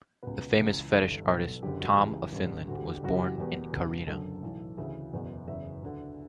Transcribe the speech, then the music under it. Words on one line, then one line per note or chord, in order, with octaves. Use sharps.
The famous fetish artist Tom of Finland was born in Kaarina.
C#2 B2 B4
C#2 C#3 E3
G1 G2 E3 A4
B1 B2 A4
F#1 F#2 D3 G4
F#4
C#2 C#3 E3 G4
A1 G2 D3
D2 D3 F#4
G4
F#4
G4
F#1 F#2 C#3 E3 F#4
G4
F#4
E1 E2 B2 G4
C#2 B2
F#1 F#2 D3 A4
B1 A2 E3
D2 C#3 E3 E5
F#1 E2 B2
F#1 E2 C#3 E5
D2 D3